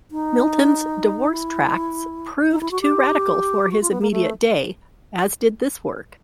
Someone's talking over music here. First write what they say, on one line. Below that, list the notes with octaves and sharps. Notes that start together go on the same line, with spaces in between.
Milton's divorce tracts proved too radical for his immediate day, as did this work.
D#4
E4
D#4
E4
F#4
G4
F#4
F4
B3
A#3
A3